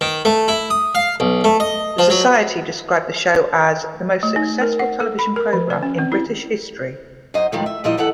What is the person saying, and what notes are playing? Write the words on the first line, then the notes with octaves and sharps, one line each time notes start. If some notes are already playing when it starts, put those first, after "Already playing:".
The society described the show as "the most successful television programme in British history".
D#3
A3
E4
D#6
F5
B1
A3
D#5
F3
F#3
A3
D#4
A#4
F#5
A4
B5
A#4
F3
D5
C#4
C4
E4
F#2 D#4 C5 D#5
A2 D#3 F3 G3 G#3
E5
A#2 F3 G3 E4 D#5
E2 D3 E3 A4 F#5